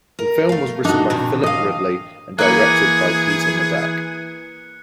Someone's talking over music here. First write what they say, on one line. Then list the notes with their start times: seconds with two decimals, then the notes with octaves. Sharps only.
The film was written by Philip Ridley and directed by Peter Medak.
0.19 A#4
0.49 A3 F5
0.85 D4 D#4 F#4
1.10 A#2 D#3
1.43 D#2 D#5 F5
2.39 E3 A#3 G#4 B4 F#6 C#7